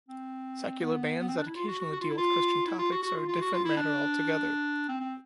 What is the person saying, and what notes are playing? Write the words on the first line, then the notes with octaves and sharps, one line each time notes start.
Secular bands that occasionally deal with Christian topics are a different matter altogether.
C4
B3
B3
C4
D4
E4
F4
F#4
F#4
F#4
F4
E4
F4
E4
F4
F#4
F#4
F4
F4
F#4
F4
E4
D4
C4
C4